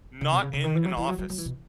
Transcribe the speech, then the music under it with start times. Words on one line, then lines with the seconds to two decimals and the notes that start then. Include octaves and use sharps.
not in an office.
0.21 C#3
0.32 B2
0.42 C#3
0.53 C#3
0.64 D#3
0.75 E3
0.85 F#3
0.97 E3
1.08 F#3
1.18 F#3
1.30 F#3
1.38 E3
1.46 B2